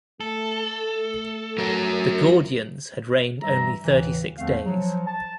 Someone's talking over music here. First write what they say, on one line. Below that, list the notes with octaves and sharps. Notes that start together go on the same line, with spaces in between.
The Gordians had reigned only thirty-six days.
A3 A4
F#3 A#4
G2 E3 G3 E5 A#5
D#2 A2 C#3 E3
E2 D3 F3 A3 C4 F5
F3 F#3
A5